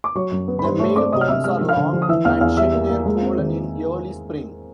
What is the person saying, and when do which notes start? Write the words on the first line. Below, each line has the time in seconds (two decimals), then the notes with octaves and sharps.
The male cones are long, and shed their pollen in early spring.
0.04 D6
0.15 F#3 C#5 C#6
0.31 F#2
0.48 B3
0.59 B5
0.64 G2 C5 C6
0.79 A3 C#5 C#6
0.96 C4 D5 D6
1.12 C3 D#5 D#6
1.21 F6
1.28 C3 E5 E6
1.44 G#3 F6
1.61 F3
1.69 F5 F6
1.77 D3
1.93 F3
2.02 D#6
2.09 E3 E5 E6
2.25 E2 F5 F6
2.41 E2 F5 F6
2.57 G3 E5 E6
2.74 A#3
2.90 A#3
3.06 G#3
3.22 C4
3.38 D#3